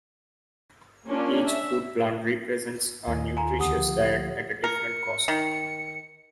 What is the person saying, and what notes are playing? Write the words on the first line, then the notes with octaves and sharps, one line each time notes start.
Each food plan represents a nutritious diet at a different cost.
A#3 C#4 D4 F4
E5
D#2 D#5 G#5
F4 A4 G#5 A#5
C#2 D3 A#3 G4 F#5 D#6
F3
A#4 C#7
D#3